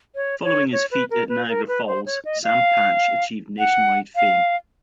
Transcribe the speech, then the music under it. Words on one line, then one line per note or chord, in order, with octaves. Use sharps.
Following his feat at Niagara falls, Sam Patch achieved nationwide fame.
C#5
C#5
C#5
B4
A#4
B4
A#4
B4
C5
C#5
D#5
F5
F#5
F5